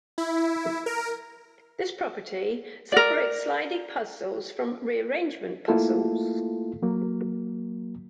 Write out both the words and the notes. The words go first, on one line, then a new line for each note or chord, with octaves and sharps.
This property separates sliding puzzles from rearrangement puzzles.
E4
A#4
A#4 D5
A3 A#3 E4 F4 A4
F#3 A#3